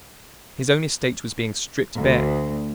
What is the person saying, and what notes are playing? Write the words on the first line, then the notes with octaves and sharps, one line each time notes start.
His own estate was being stripped bare.
D2